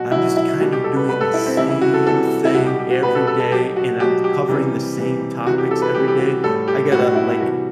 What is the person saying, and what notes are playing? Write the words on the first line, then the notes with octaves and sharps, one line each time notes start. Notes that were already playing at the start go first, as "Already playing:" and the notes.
I'm just kind of doing the same thing every day, and I'm covering the same topics every day. I gotta, like,
Already playing: B2 F#3 F#4
B2 F#3 E4
E4
B2 G3 F#4
G4
A4
B4
B2 G3 B4
A4
E4
C4
C3 E3 G3 E4
E4
F#4
A4
C3 E3 G3 A4
E4
B2 G3 F#4
G4
G4
F#4
B2 G3 B4
A4
A4
A4
B2 F#3 G4
F#4
B2 F#3 G4
G4
C3 E3 G3
C3 E3 G3
C3 E3 G3 F#4
G4
A4
B4
C3 E3 G3 G4
G4
F#4
A2 G3 A4
G4
A2 G3 F#4
E4
C3 E3 G3 F#4